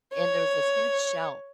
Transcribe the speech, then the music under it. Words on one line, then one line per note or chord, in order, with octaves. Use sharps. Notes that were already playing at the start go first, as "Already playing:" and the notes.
And there was this huge shelf
C#5